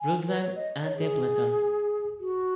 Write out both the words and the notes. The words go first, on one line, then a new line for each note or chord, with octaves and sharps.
Rutland, and Templeton.
G#5
B4
C#5
D#5
C#5
G#4
F#4